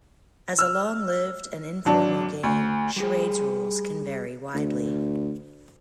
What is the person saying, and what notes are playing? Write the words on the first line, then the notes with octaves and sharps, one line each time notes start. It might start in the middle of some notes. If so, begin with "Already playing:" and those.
As a long-lived and informal game, charades' rules can vary widely.
E6 F6
G#1 F#3 D4
D2
G3 G4 G#4
D2